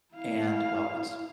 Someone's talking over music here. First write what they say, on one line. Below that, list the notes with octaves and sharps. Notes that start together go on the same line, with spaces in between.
And, well, it's
E4 F5